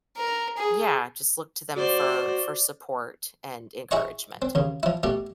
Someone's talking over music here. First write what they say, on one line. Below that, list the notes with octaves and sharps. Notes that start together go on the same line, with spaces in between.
yeah, just look to them for for support and encouragement.
A#4
G#4
F#4 C5 D5
E4 G#4 D#5 C#6
C4
D#2 C#3
F3 E4
B2 A3 G4